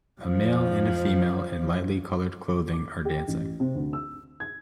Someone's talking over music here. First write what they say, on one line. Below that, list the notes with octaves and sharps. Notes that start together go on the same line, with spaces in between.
A male and a female in lightly colored clothing are dancing.
F2 F3
D6
G4
A1
C3
D2
E6
G#6